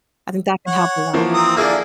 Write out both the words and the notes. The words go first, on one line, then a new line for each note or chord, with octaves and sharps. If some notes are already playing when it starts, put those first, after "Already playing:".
I think that can help a lot,
C#5 F#5
E3 F3 A#3
C4 A#5 D#6
D3 A#3 E4 G#4 A#4 D5